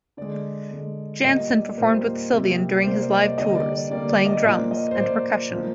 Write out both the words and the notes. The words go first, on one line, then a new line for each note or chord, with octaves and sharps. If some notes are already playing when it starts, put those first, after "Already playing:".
Jansen performed with Sylvian during his live tours, playing drums and percussion.
D3 G#3 D5
D3 G#3
A#2 G3 A#3 D#5
D5
A#2 G3 A#3 C5
C3 G3 A#3
D5
C3 G3 A#3 C5
D5
D#5
D5
D3 G3 A#3 D#5
D5
D5
D3 G3 A#3 D5
D5
D#5
A#2 F3 A#3 D5
D#5
C5
A#2 F3 A#3 D5
A#2 F3 A#3